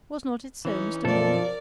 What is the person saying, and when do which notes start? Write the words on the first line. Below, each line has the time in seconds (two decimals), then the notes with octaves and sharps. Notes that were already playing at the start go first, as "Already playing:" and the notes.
Was not it so, Mr. Morland?
0.65 E3 C#4 D#4
1.04 F#2 B2 F3 A4 A#4 D5